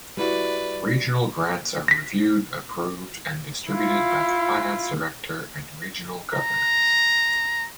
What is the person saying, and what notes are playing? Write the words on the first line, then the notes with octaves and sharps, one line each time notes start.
Regional grants are reviewed, approved, and distributed by the Finance Director and Regional Governors.
G3 E4 F#4 B4 D5
A#6 B6
E4 F4
A#5